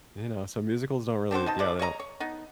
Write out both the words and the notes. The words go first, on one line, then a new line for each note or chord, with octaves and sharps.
You know, so musicals don't really yeah, they don't
C4 D4 F#4 C5
B2 D#4 A5
F3 G#3 E4 D5
C#5 D#5 E5 A#5
C#5
B3 D#4